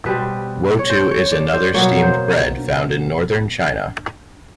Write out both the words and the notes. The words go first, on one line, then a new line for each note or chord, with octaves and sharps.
Wotou is another steamed bread found in northern China.
B2 G3 C4 B4
C#5
C5
C#5
D5
C5
B2 F#3 A#3 C#5
C5